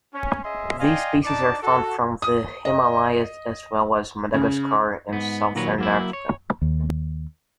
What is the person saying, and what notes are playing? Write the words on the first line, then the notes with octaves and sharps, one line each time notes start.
These species are found from the Himalayas as well as Madagascar and Southern Africa.
C#4
C#4 G#4 D#5 E5 G#5 C6
D5 D#5 F5 G5 G#5 C6
D4 D#4 D5 A5 D6
F#4 A4
D#6
D#5
C#3
G#2 B3
A#2 D#3 F#3 A#4 B4 C#5
F#3 A#3 E4
C#5
D#2